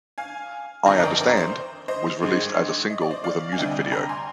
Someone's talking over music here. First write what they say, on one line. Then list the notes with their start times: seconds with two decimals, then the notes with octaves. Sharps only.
"I Understand" was released as a single with a music video.
0.18 F5 G#5
0.86 G1 F2 D#3 G5 A#5
0.98 D#5
1.03 A#4 D5
1.20 A#4
1.37 C5
1.88 C5 D#5
2.22 G#1 G2 D#3 G#3
2.90 D#5
3.01 D5
3.11 C5 D#5
3.24 D5 F5
3.52 G#5
3.58 D2 C3 G3 D4 D#5 G5
3.92 G5 A#5
4.09 G#5 C6